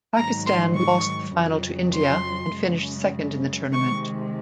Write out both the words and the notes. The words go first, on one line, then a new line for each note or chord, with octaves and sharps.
Pakistan lost the final to India and finished second in the tournament.
G#2 D#3 F#3 A#5
C6
C#6
F2 C#3 F#3
C6
F#2 C#3 G#3
C3 D#3 G#3 C#6